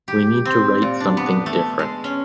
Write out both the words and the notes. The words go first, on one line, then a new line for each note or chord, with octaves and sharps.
We need to write something different.
G4
C4
A#2
D4
B3
A3
G#3
C#4